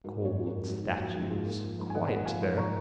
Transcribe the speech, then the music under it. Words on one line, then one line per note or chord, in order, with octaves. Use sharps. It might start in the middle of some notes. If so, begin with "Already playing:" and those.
Cold statues: quiet there.
G#2 F#4 A#4
A#3
A#4 C#5
F3
F#4 A#4
G#2
G#2 F#4
A#3
F3 F#4
G#2
G#2 F4 G#4
A#3
F3
G#2
G#5
G#2 D#5 F#5
A#3
F3 F5 G#5
G#2
A#2 A#5 C#6